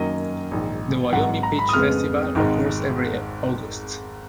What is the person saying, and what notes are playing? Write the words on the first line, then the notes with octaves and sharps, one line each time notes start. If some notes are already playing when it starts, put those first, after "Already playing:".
The "Wyoming Peach Festival" occurs every August.
Already playing: F#2 D#3 F#3 A#3 D#5
A#1 G#2 D#3
G#1 G#2 F#3 F#5
A#5
B5
D#6
F2 C#3 G#3 B3 F6
G#1 G#2 D#3 G#3